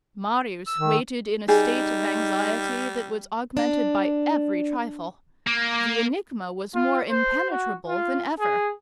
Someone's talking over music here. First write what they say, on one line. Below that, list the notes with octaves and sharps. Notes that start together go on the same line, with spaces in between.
Marius waited in a state of anxiety that was augmented by every trifle. The enigma was more impenetrable than ever.
E6
D#3
G3 D#4 G#4
D4
A#3
F4
C5
F#4
F4
G#4